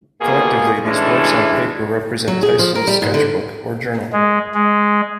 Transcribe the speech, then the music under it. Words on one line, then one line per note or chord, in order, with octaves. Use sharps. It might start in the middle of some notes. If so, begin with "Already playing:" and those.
Collectively these works on paper represent Tyson's sketchbook or journal.
B2 A#3 F4 G4 G#4
E3 G#3 A3 C#4 D4
F#3
G#4
F3
A#4
G3
G#2
D3
G#3
G#3